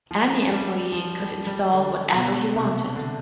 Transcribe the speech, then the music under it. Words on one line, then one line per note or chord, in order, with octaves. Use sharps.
Any employee could install whatever he wanted.
F3
G3
F3
G3
G3
D3
B2
C3
D3